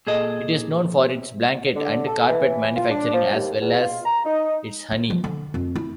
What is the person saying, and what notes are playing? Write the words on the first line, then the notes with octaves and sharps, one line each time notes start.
It is known for its blanket and carpet manufacturing as well as its honey.
A#2 G#4 A4 D#5
D3
A4
E3
F4
D4
F3
D#2
E2
F4
A#5
D#4
E4
F3
D3
F2
E4